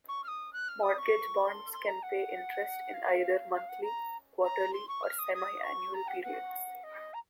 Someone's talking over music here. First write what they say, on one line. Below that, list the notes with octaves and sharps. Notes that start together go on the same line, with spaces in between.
Mortgage bonds can pay interest in either monthly, quarterly or semiannual periods.
C#6
F6
D#6
F#6
F6
D#6
C#6
C#6
C6
C6
A#5
F#5
F5
F5
F#5
A#5
A#5
C6
C#6
F6
D#6
D#6
C#6
A#5
F#5
F#5
D#5
A#5